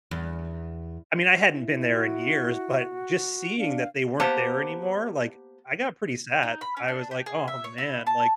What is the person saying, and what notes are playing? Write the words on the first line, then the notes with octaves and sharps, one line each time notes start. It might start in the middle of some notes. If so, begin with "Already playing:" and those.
I mean, I hadn't been there in years, but just seeing that they weren't there anymore, like, I got pretty sad. I was, like, "Oh, man. Like,
E2
E4
F#4
D4 F5
A#3 B3 G4 C5 A5 A#5
D#4
B5
C#4
D4
G4
G#4
E5
C#5
E4
A5